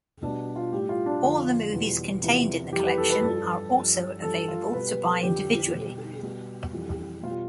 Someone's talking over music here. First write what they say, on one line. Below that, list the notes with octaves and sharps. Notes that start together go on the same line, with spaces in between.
All the movies contained in the collection are also available to buy individually.
B2 G3 D4
F4
A2 G3 G4
F4
D4
F2 D3 F3 F4
E2 B2 G3
E2 C3 F3
F2 E3 G3 G4
B4
A4
B4
G2 F3 A4
G2 F3
G2 F3 A4
F4
B2 G3 B4
B4
A4
F2 D3 F3 G4
B2 G3
B2 G3
F2 E3 G3
B2 G3 F4